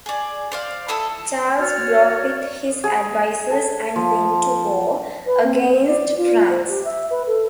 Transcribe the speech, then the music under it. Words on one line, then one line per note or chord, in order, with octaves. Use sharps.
Charles broke with his advisors and went to war against France.
G#4 D5
C5 D5 F5
E4 A4 D#6 E6
F#4 C#5 D5 F6
G#4
A4
F3
B4
C4
C5
D5
F4
C5
G4
E5
B4
A4